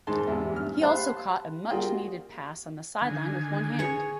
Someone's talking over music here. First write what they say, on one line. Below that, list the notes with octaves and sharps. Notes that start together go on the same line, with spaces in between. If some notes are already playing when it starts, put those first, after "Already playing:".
He also caught a much-needed pass on the sideline with one hand.
G#2 D#3 G#3 A5 C6
E2 C3
G2 F6
G4 C5 F5 A5 B5 F#6
G3 A#3 F4 F#4 G#4 G5
D3 D#3 G#5
G#4 C#5